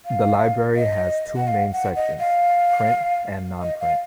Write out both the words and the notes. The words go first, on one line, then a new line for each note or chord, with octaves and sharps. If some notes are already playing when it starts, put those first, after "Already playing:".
The library has two main sections, print and non-print.
F5
D#5
F#5
F5
F#5
D#5
F5
D#5
F5